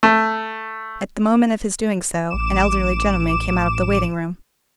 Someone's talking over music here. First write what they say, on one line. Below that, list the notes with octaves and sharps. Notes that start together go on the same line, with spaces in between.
At the moment of his doing so, an elderly gentleman came out of the waiting-room.
A3
A1 D6 E7